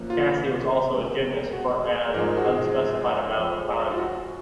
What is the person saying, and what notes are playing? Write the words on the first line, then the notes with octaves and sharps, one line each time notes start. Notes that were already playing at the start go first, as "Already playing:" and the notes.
Cassie was also a gymnast for an unspecified amount of time.
Already playing: F#2 F3 A#3
F4
B2 G#3 C#4
F#4
G#4
G#2 F3 G#3 A#4
F#4
G#4
F2 F3 G#3
F4
F#4